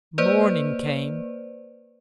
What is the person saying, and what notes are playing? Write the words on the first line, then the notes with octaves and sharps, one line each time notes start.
Morning came!
A#3 B4 C5 D5